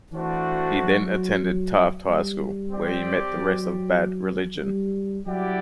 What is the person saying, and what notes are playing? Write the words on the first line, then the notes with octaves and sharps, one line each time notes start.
He then attended Taft High School, where he met the rest of Bad Religion.
E3 A3 D4 F#4 C5
F#3
G3
C4 G4 D5
F#3
G3
F#3 E4 G4 D5 F#5